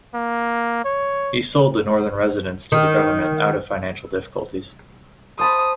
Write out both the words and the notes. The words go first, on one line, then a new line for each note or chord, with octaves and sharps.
He sold the Northern Residence to the government out of financial difficulties.
A#3
C#5
D#3
C5 A5 B5 D#6